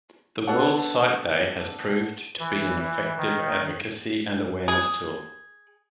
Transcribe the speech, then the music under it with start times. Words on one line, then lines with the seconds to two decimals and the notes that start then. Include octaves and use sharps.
The World Sight Day has proved to be an effective advocacy and awareness tool.
0.47 B3 D4 A4 C#5 F#5
2.39 E3
3.17 D#3
4.68 G#4